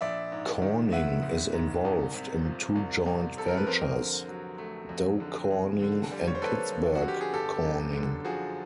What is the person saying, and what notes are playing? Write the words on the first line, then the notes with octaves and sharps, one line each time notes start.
Corning is involved in two joint ventures: Dow Corning and Pittsburgh Corning.
A#1 D5 E5
G#2
D#3
A#1 E5 F#5
A#1
G#2
C2
C3
F3
C2
C2
C3 A4
A#4
B4
F2 A#4 C5
D3
F#3
A3
F2
D3
F2
D3
G3
C#5
C5
A#3 A4 B4
F2
F#4
D3
G4
G#4
G1 G4 A4
F#2
D3
F3 F#4 G#4